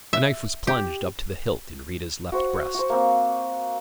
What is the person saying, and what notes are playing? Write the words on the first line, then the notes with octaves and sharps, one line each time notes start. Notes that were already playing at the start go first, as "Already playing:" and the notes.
A knife was plunged up to the hilt in Rita's left breast.
E5
G4
F#4 C5 F#5
F#4 C5
A#3 C4